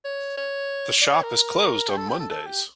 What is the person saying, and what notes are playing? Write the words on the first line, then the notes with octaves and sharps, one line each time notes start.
The shop is closed on mondays.
C#5
C#5
D5
C#5
A#4
G4
A4
G4
A4
A4
G4